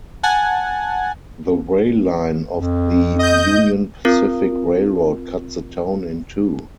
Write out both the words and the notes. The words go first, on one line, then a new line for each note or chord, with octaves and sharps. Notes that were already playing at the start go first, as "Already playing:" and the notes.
The rail line of the Union Pacific Railroad cuts the town in two.
F#5 G#5 A5
F2
D#5 G6
C4 F4 A#4